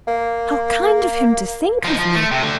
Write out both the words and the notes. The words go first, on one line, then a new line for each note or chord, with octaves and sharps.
'How kind of him to think of me!
A#3
F3 D#4
F3
A3
C3
D3 A3